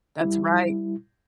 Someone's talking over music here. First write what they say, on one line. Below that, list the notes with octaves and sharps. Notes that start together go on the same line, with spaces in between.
That's right.
G3 E4